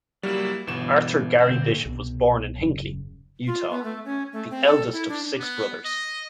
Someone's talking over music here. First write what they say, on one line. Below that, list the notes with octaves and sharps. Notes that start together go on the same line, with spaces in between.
Arthur Gary Bishop was born in Hinckley, Utah, the eldest of six brothers.
F#3 G3 A#3 E4
G1 B2 E3 E7
A#2 D3 C4
C2 B2
D#1 F#2 C#3
F4
B3
A3
C#4
A3
C4
A4
E4
D4
B3
D#5